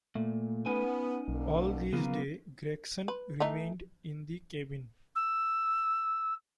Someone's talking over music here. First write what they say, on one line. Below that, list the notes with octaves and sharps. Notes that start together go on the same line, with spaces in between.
All this day Gregson remained in the cabin.
A#2 A3
B3 C#4 D#4 G#5
B1 B2 D3 A#3
C#3 F#3 A#3 B3 F4
B4
E3 A3 D#4
E6